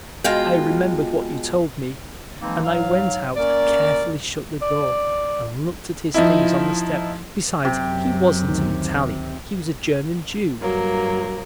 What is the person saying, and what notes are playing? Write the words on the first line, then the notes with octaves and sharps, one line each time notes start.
I remembered what you told me, and I went out, carefully shut the door, and looked at his things on the step. Besides, he wasn't an Italian--he was a German Jew.
B2 G#3 F4 G5
E3 F3 G#3 A#3 C4 D#4
G#2 F#3 F5
A#3 C#4 A#4 D5
D5
F3 D#4 E4
F#2 C3 G4
D2 D#3
G2 F#3 A#3